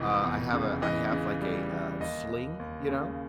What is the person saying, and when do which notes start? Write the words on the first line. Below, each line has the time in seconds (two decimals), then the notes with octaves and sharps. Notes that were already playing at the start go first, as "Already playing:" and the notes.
Uh, I have a I have, like, a, uh, sling, you know?
Already playing: F1 E3 D#5
0.23 E2
0.53 C#3
0.82 E3 D#5
1.12 C#3
1.42 G3
1.71 E3
2.00 D#2 D#5
2.30 D#2
2.60 D#2
2.89 C#3